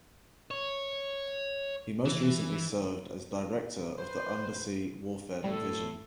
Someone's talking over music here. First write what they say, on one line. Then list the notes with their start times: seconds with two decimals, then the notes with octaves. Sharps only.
He most recently served as Director of the Undersea Warfare Division.
0.51 C#5
2.05 E3
3.98 B4 C5
5.44 A2 G3 A4